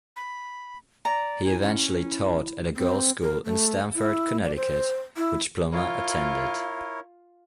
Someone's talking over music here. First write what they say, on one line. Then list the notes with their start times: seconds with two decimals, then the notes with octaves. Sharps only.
He eventually taught at a girls school in Stamford, Connecticut, which Plummer attended.
0.16 B5
1.05 D5 A#5
1.45 E4 G#5
1.62 C#4
2.02 E4
2.76 C4
3.22 A#4
3.45 A3
3.95 E4
4.44 D5
4.56 C5
5.17 E4
5.72 E4 F4 A#4 C#5